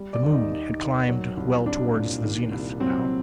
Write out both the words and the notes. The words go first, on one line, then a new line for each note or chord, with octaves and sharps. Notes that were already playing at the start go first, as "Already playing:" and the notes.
The moon had climbed well toward the zenith, now.
Already playing: G3
D5
D#2
D#4
D#2
D#3
F#3
C2
C2 D4
A#2
D#3
C2
F#3 C4